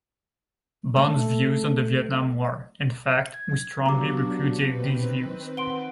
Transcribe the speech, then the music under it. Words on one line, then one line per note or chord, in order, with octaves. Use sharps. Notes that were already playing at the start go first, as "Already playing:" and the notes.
Bond's views on the Vietnam War; in fact we strongly repudiate these views.
A3
G#6
F#3 B3 D4 F#4 G4 A#5 D6
D#3 C4 B4
F#5 C6 D7 G7